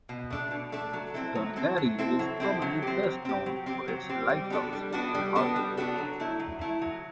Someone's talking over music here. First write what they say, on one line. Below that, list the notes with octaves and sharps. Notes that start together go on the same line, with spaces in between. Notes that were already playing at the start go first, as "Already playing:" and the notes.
Donaghadee is probably best known for its lighthouse and harbour.
B2
A3 D4 A4
B2
A3 D4 A4
F#3
C4 E4 A4
F#3
C4 E4 A4
F#3
C4 E4 A4
F#3
C4 E4 A4
F#3
C4 G4
F#3
C4 G4
F#3
C4 G4
F#3
C4 G4
G3
B3 D4 F#4 A4
G3
B3 D4 F#4 A4
G3
B3 D4 F#4 A4
G3
B3 D4 F#4 A4
F#3
A3 E4
F#3
A3 E4
F#3